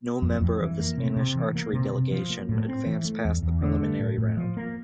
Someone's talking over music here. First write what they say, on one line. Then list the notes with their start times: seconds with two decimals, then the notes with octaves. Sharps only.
No member of the Spanish archery delegation advanced past the preliminary round.
0.22 F2
0.41 F2
0.61 E3
0.80 A#3
0.98 C3
1.16 C3
1.35 E3
1.55 A#3
1.73 C3
1.93 C3
2.11 F3
2.30 A#3
2.49 A2
2.68 C4
2.86 E3
3.05 A3
3.25 E2
3.42 E2
3.61 D3
3.81 A3
3.99 A2
4.18 A2
4.37 F3
4.57 A#3